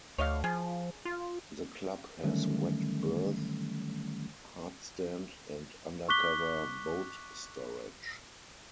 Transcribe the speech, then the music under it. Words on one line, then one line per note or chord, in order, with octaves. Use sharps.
The club has wet berth, hardstand and undercover boat storage.
D2 C#5 D#5 F5
F3 G#4
F4
D3 D#3 F#3 G3 A3 C#4
C#6 D6 F#6 B6 G7